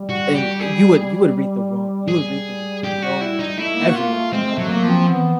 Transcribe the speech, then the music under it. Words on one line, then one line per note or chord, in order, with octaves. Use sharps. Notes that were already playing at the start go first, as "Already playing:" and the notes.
and you would you would read the wro you would read the room so wrong everyone read the room so wrong,
Already playing: G3
F#4
G4
G#4
G3 G#4
G4
F#4
E4
D#4
A3 E4
A#3
F#4
A#3 F4
A3
G#3 C4
G#3
A3
F#3
A#3
F3
C4
B3